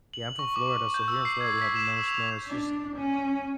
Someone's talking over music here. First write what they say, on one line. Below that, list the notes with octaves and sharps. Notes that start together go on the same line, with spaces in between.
Yeah, I'm from Florida, so here in Florida, we have no snow, it's just
F#7
C#6
D6
D6
G6
E6
C7
G#6
B6
E7
E6
F7
D4
C#4